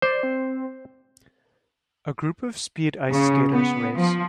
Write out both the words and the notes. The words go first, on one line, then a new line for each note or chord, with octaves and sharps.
A group of speed ice skaters race.
C5 D5
C4
C#3
B3
F3